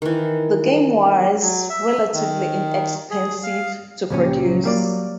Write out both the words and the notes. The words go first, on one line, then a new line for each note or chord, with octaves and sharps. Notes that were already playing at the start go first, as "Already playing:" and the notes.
The game was "relatively inexpensive" to produce.
D#3 E3
F#3
E5
D#3
G#4
F5
C#2 A#2 F3 C#4
G4
F#3
G3 A#3 D5